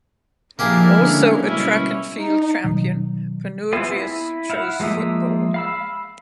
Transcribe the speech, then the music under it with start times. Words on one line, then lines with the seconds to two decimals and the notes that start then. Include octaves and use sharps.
Also a track and field champion, Panourgias chose football.
0.59 F3 A#3 D4 E4 G4 G#4 A#4
0.97 D3 F#3 G#3 C#4
1.44 B2 G3 C#4 E4
2.18 D#4
2.64 B2 D#3 F#3
3.73 B3 C4 E4 F4 G#4
3.91 E4
4.50 E4 F5 F#5
4.80 F3 G#3 A#3 E5 D#6
5.54 F5 B5 E6